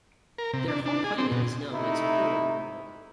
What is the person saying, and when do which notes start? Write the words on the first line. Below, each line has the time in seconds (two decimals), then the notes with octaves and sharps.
Their home planet is known as Horde World.
0.38 A#4
0.53 C3
0.68 D4
0.86 D4
1.04 G#4
1.18 C4
1.32 B2
1.73 C3 A3 D#4 E4